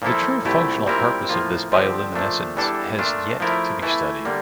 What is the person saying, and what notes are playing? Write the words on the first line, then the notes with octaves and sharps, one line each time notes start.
The true functional purpose of this bioluminescence has yet to be studied.
A#2 F3 A#3 E4 A4
C2 A#2 A3 E4 G4
A#2 G3 C4 E4 A#4
A2 F3 A#3 F4
D3 F3 C4 G4
A#2 F3 A3 D4
E2 E3 G3 D4 A4
A#2 A3 D4 F4
F3 A3 E4 A#4
E3 A3 E4
D3 G3 A#3